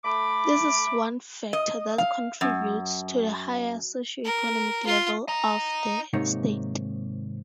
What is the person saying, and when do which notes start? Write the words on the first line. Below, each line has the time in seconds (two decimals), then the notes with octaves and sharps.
This is one factor that contributes to the higher socioeconomic level of the state.
0.05 A3 B5 D6
1.53 D#5
1.98 F5
2.41 F#2
4.25 A#4
4.86 F4
5.28 D#5 A#5
6.13 G#2 C3 D#3 A#3 D#4 C#5